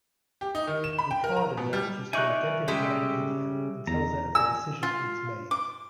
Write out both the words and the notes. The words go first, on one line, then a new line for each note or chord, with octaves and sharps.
Riccardo manages to identify Amelia and tells her of the decision he has made.
G4
D#4
D#3
E7
B5
G5
A#4
A#5
B2
G3
D#4 F4 D5 E5 G#5 C#6 F#6
C#3 G3 G#3 G4 A4
E2 A#5
G#5 E6
F4
D6